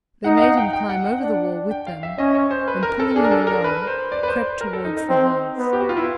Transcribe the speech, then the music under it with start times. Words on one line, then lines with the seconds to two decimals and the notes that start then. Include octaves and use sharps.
They made him climb over the wall with them, and, pulling him along, crept toward the house.
0.24 D#4 F#5
0.37 F5
0.42 F#5
0.57 G5
0.73 G5
0.89 F#5
1.06 F#5
1.21 D4
1.71 G5
1.87 F5
2.03 E5
2.18 C#4 D#5
2.35 C#5
2.51 C5
2.68 B4
2.83 A#4
3.00 A4
3.15 D4 G#4
3.24 A#4
3.31 A4
3.47 A#4
3.64 B4
3.87 C5
4.12 D5
4.23 B4
4.28 C5
4.61 A#4
4.73 A4
4.85 D#4
4.97 D#4
5.09 C4
5.57 B3
5.73 G4
5.81 F#4
5.89 F4
5.97 E4